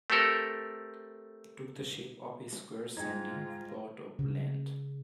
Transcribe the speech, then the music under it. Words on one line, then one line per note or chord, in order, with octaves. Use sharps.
Took the shape of a square sandy plot of land.
A3 C4 G4 A4 A#4
G#2 D#4 F4 G#4 G5 G#6
C#3